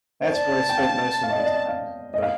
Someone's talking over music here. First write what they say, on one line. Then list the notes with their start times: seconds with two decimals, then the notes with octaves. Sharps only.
that's where I spent most of my time, but
0.22 C5
0.32 D5 A5
0.69 G5
0.78 F5
1.23 F5
1.31 D#5
1.38 D5
1.45 D#5
1.68 F5
2.14 D#5
2.22 F5